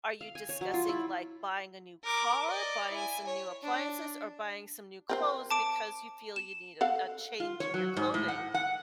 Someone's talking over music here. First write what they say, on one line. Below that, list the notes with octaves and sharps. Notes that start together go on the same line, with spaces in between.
are you discussing, like, buying a new car, buying some new appliances, or buying some new clothes, because you feel you need a a change in your clothing?
F5
G#5
C#5
F#3
F4
E4
A#4 D6
D5 D#5
E4 G#5
C#5
D4
C4 A#4 C5
A5 D6 D7
E7
A4 F5 F#5
F4
C#5
F#3
G#2
A2
F#5
F#5